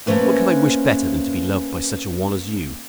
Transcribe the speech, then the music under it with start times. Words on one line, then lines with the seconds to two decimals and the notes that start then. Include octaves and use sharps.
What could I wish better than to be loved by such a one as you?
0.06 A3 A#3 C#4 B4 C5